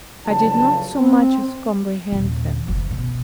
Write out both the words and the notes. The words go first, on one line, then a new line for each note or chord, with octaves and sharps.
I did not so much as comprehend them.
F#1 F2 C#3 D4 A5
C4
D#1
F#1
B2